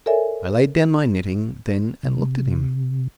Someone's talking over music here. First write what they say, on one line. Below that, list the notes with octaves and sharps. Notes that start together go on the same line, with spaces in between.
I laid down my knitting then and looked at him.
A4 A#4 C#5 D5 E5 G#5
C3